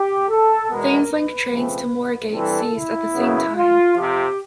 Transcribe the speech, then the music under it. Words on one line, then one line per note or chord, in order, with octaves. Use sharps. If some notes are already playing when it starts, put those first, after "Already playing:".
Thameslink trains to Moorgate ceased at the same time.
Already playing: G4
A4
E2 B2 G#3 B3 A#4
B4
C#3 F3 A3 C4
G2 E3 G3 C4 A4
E4
F#2 C#3 F#3 B3
F4
F2 C3 F3 G4